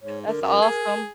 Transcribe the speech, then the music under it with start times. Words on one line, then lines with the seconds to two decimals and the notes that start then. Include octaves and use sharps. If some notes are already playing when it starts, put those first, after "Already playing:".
That's awesome.
0.02 G#2 C#5
0.27 D3 A#4
0.41 F#2
0.62 G#4